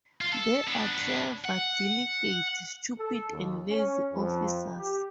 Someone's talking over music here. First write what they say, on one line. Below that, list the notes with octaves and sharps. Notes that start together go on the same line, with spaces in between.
There are clever, diligent, stupid, and lazy officers.
F4
A4
B3 D4
F#5
A4
D#2
C#4
F2
G4